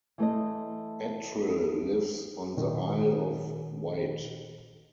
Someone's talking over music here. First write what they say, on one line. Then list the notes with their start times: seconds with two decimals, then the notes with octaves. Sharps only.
Attrill lives on the Isle of Wight.
0.18 E3 A3 C5 D#5
2.57 A#2 D#3